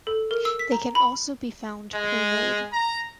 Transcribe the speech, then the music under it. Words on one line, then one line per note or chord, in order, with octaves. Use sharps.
They can also be found pre-made.
A4
A#4
E6
B6
A#5
B5
G#3
A#5